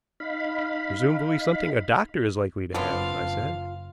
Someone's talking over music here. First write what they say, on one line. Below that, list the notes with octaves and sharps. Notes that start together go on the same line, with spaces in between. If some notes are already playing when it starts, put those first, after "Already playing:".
"Presumably something a doctor is likely to have," I said.
D#4 F5 B5
F#1 B3 C4 D4 F4 F5 C6